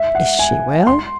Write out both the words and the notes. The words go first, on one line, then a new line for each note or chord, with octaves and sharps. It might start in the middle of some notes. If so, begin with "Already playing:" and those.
Is she well?
Already playing: E5
F#5
G#5
C6